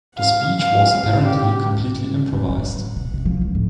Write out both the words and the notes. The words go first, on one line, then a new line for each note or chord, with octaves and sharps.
The speech was apparently completely improvised.
F5
F5
F5
G4
D#1
A2
F#3
B2
C3
F3
C#2
A2